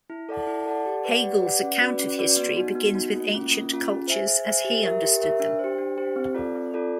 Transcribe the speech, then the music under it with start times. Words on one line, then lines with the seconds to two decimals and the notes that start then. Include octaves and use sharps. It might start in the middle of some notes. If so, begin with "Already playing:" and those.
Hegel's account of history begins with ancient cultures as he understood them.
0.10 E4
0.29 A4 D5 F#5 A5
0.47 E4
0.66 A4 D5 F#5 A5
0.86 G4
1.04 B4 D5 F#5
1.24 G4
1.42 B4 D5 F#5
1.61 C#4
1.80 F#4 B4 D5
1.99 C#4
2.18 F#4 B4 D5
2.37 B3
2.57 D#4 F#4
2.75 B3
2.94 D#4 F#4
3.13 A#3
3.32 C#4 F4
3.51 A#3
3.70 C#4 F4
3.89 G#4
4.08 C5 E5 G#5
4.27 G#4
4.45 C5 E5 G#5
4.65 G4
4.83 A#4 C#5 E5
5.02 G4
5.21 A#4 C#5 E5
5.40 D4
5.59 C5
5.64 G4
5.78 D4
5.98 G4 C5
6.16 C4
6.35 F4 A4 D5
6.55 C4
6.74 F4 A4 D5